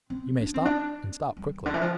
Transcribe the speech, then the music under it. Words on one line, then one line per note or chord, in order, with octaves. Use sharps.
"You may stop, and stop quickly."
C4
D4
C4
D4
G3
C3
D3
E3
F3